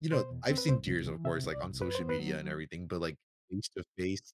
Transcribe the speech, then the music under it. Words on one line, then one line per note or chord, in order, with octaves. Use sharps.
you know, I've seen deers, of course, like, on social media and everything, but, like, face-to-face
B2 C5
E2
C4
B4
C2 C5
C2
E3
C3 E5
C2
D5
C2
F#2 B4
C5
B3
B4
F#3